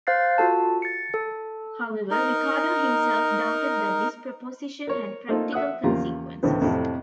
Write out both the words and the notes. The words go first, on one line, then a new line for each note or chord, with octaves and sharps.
However, Ricardo himself doubted that this proposition had practical consequences.
C5 F5 F#6 A6 C7
F4 F#4 A4 A5
A6 C#7
A4
D#4 A#4
A#4 C#5
A3 A#3 C4 D#4 F4 A4
E5 F#5 D#6 F#6
E2 C#3 A#3 F4 G4 A#5
C#2 A2 D3 E3 B3 C4
F2 A2 C3